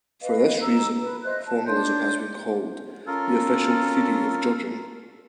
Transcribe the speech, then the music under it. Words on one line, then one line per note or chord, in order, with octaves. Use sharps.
For this reason, formalism has been called 'the official theory of judging'.
B4 D#5 F5
A#5 E6
B4
C5 D#5 E5 F#6
A5
D4 C#5 C6 G6
C#4 F4 A4 A#4